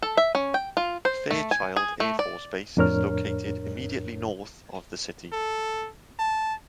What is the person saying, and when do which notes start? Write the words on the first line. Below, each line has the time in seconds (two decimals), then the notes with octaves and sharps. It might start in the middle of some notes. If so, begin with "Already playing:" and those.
Fairchild Air Force Base is located immediately north of the city.
0.02 A4
0.17 E5
0.35 C#4
0.54 G5
0.77 F4
1.05 C5
1.31 A3
1.51 G#5
1.76 G#4
2.00 A3
2.19 D5
2.77 F2 A2 D4 A#4 C#5 F6
5.32 A4
6.19 A5